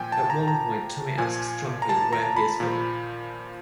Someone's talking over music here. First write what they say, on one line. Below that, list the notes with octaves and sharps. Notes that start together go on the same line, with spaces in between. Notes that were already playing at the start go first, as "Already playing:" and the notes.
At one point, Tommy asks Trumpy where he is from.
Already playing: A#2 F3 G5 G#5
A5
A#5
A#5
A#2 F3 G#5
A#5
A5
A#5
B5
A#2 F3